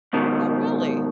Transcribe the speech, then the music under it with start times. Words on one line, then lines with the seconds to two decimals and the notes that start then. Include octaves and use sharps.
Oh, really?
0.13 G#2 B2 D#3